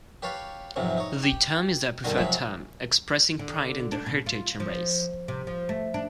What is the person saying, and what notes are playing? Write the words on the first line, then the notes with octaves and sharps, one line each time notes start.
The term is their preferred term, expressing pride in their heritage and race.
G4 B4 C#5 F5 A5
F2 G#2 C3 E3 F#3
D#4 C#5
G4
G2 B2 D3 D#3
C3 F3 F#3 G#3 B5
D3
D4
B2
F4
F3
C3
F3
A3
D4